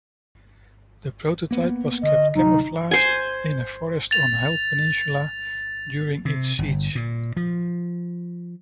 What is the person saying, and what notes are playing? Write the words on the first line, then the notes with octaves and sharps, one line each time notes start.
The prototype was kept camouflaged in a forest on Hel Peninsula during its siege.
A#3 B3
D3 D#5
D2 C3 F#3 D#4
C5 G#5
A6 F7
C3
G1
A#2
F3